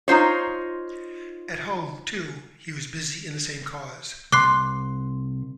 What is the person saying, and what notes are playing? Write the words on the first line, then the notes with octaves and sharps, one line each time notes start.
At home, too, he was busy in the same cause.
D#4 F4 C5 C#5
C2 C6 D6 F#6 C7